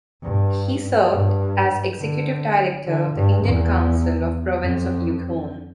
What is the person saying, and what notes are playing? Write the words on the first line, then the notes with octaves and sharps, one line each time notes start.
He served as Executive Director of the Indian Council of the Province of Yukon.
G2
G2
D3
D3
G2
E2
F2